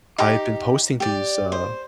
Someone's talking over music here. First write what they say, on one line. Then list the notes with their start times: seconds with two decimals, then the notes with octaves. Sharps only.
I've been posting these, uh,
0.18 D#4 G4 D6
1.00 G4 D5
1.52 C5